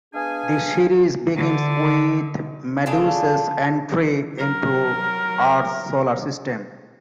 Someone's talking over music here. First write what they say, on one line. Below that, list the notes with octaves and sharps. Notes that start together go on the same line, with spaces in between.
The series begins with Medusa's entry into Earth's solar system.
G#3 B3 D4 G#4 F5 G#5
D3
C#3 D4 F4 A4
F#3 A#4